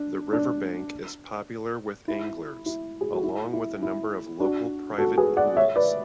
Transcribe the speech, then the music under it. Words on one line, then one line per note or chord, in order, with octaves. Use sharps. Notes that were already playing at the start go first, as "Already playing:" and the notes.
The riverbank is popular with anglers, along with a number of local private pools.
Already playing: D4
D4
E4
E4
G#4
F#4
E4
E4
E4
D4 F#4
F#4 A4
G#4 B4
D5 F#5
C#5 E5
B4 D5